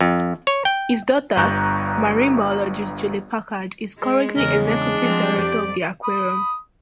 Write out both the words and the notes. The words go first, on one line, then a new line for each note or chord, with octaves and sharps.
His daughter, marine biologist Julie Packard, is currently Executive Director of the aquarium.
F2
C#5
G5
G1 G2 A#5 C#6 F#6 G6
G#3
E2 C#3 G#3 A#4
D4
F3 C4
F2 G4 D5
B5 D#6